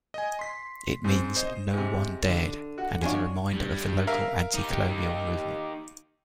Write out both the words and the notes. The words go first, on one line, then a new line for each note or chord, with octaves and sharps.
It means 'no one dared' and is a reminder of the local anti-colonial movement.
D#5 G#5
C6 B6
G#2 C4
C5 D#5
G#2 C3
D3
F#4
F3 D4 F#4 C#5 G#5
G2 G3
A#4 E5 F5
D#4 G4